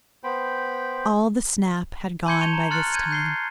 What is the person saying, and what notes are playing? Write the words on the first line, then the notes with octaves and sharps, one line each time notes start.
All the snap had gone by this time.
B3 C5 G5 B5
A5 C6 G6 G#6 C#7 G7
A5 C#6 D#7 F7 G7
A#5
C6 F6 F#6 A6 C#7
G6 G#6 D#7
G6 C7 G7